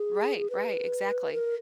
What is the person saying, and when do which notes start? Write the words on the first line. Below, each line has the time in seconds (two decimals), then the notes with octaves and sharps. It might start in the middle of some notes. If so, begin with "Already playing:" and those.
Right, right, exactly.
Already playing: G#4
0.50 B4
1.33 A#4